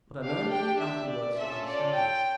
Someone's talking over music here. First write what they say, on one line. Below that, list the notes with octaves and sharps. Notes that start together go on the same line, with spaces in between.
But I learned only afterwards to understand this.
D4 G4 F5
G5
E5
D5
C#4 F4 A4 E5
D5
G5